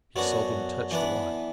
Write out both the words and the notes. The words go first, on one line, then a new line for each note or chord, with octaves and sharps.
He seldom touched wine.
F#2 F#3 B3 D4 F#4
E3 B3 D4 B4